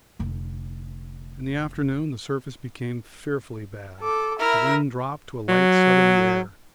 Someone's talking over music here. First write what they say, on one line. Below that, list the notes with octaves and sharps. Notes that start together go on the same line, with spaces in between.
In the afternoon the surface became fearfully bad, the wind dropped to light southerly air.
F1 D3
A4 D6
E4 A#4 E5
F#3